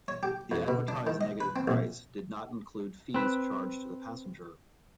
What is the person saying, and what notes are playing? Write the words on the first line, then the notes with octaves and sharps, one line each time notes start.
The advertised negative price did not include fees charged to the passenger.
C#5
G4
F2
B2
D4
D#3
D#5
B4
C4
A#1
C4 B4